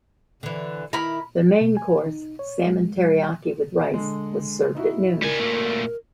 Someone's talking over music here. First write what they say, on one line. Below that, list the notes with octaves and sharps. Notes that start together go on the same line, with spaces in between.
The main course, salmon teriyaki with rice, was served at noon.
D3 E3
D#3 E4 A#4 B5
B2
G#5
D#4
C#5
G#3
G3
D3 G#3
D#4 E4 F#4
G3 A#4 G#5
A#2 A3